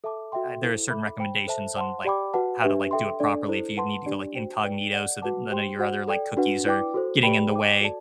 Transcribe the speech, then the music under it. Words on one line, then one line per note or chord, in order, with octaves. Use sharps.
uh, there are certain recommendations on, like, how to, like, do it properly if you need to go, like, incognito so that none of your other, like, cookies are getting in the way
A4 E5 A5 D6
F#4 A4 E5 G5 C6
E4 A4 C5
A4 E5 B5 D6
C5 G5 B5
A4 C5 E5 A5
C5 F#5 A5 C6
G4 D5 G5 B5 D6
F#4 B4 F#5 A5
D4 G4 B4 E5
A4 E5 G5 C6
D4 A4 D5
E4 A4 C5
B4 F#5 A5 C6
D4 G4 D5
F#4 C5 G5
B4 D5 G5
A4 D5 F#5
F#4 B4 F#5 A5 D6
G4 C5 G5 C6
F#4 C5 F#5
A4 D5 G5
D4 F#4 B4 F#5
E4 B4 D5 G5 D6
F#4 A4 C5
G4 B4 D5 G5 B5
C5 G5 D6
F#4 A4 D5 A5